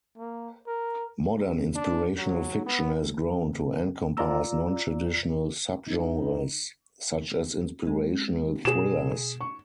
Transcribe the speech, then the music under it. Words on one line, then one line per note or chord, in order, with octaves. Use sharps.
Modern inspirational fiction has grown to encompass non-traditional subgenres, such as inspirational thrillers.
A#3
A#4
D4
F#3
B3
F4 D5 A#5 E6
D#4
G#3
B2 G#4 E7
C#6